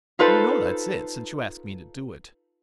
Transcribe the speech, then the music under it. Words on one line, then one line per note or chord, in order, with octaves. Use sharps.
You know that's it, since you ask me to do it.
D#4 F4 A4 B4 C5